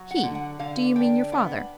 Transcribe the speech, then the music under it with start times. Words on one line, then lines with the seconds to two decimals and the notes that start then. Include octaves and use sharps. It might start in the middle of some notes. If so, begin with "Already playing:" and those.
"He--do you mean your father?"
Already playing: F#3
0.11 F#5
0.23 D3
0.35 F#5
0.59 D3 F5
0.96 D4 G5
1.32 B3